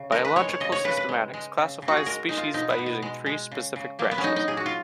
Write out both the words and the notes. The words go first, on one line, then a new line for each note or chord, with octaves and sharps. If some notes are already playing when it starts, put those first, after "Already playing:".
Biological systematics classifies species by using three specific branches.
Already playing: C#3
G#3 A#4
B4
G#3 C#5
C#5
C#3 D#5
C#5
C#3 B4
B4
G#3
G#3
C#3
C#3
F#4
G#4
G#3 A#4
G#3 D#4
F4
B2 D#4
B3
B2
B3
G#3
G#3
C#3
C#3
F#3 A#3
B3
C#4
F#3 D#4
D#4
A#2 G#4
F#4
F4